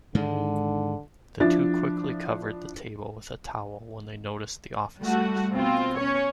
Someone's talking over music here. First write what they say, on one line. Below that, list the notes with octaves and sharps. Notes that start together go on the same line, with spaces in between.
The two quickly covered the table with a towel when they noticed the officers.
G#2 D3 D#3 G#3
F3 D4 E4 A6
G3 A3 F#4
B2 C4 F4
C#4 C#5